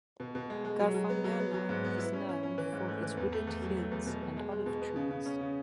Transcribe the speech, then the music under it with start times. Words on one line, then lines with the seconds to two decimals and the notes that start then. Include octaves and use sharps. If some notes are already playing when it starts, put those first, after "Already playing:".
Garfagnana is known for its wooded hills and olive trees.
0.20 B2
0.35 B2
0.50 G#3
0.65 G#3
0.80 F#3
0.94 F#3
1.10 B3
1.24 F#3
1.39 B3
1.54 F#3
1.69 G#2
1.84 B3
1.98 E4
2.13 C#4
2.29 C#4
2.43 C#4
2.58 E3
2.73 G#2
2.88 A3
3.03 E3
3.17 E2
3.32 A3
3.47 E2
3.62 F#3
3.77 A3
3.91 E2
4.06 B2
4.22 B2
4.37 G#3
4.52 G#3
4.66 B2
4.82 B3
4.96 C#3
5.11 C#3
5.26 C#4
5.41 C#3